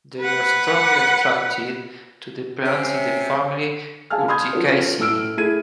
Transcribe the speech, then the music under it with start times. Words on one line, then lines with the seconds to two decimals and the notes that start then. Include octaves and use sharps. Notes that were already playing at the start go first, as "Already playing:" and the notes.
They are strongly attracted to the plants in the family Urticaceae.
0.21 B4 F#5
2.65 C3 C#4
4.10 G#4 F5 G#5 A5 F6
4.28 B5 C6 D#6 F6 G6 G#6
4.53 F3 C#4 F#4 A4 B4
4.99 A2 A4 E6 F6 D7
5.37 A3 E4 G#4 A4 G#6 D#7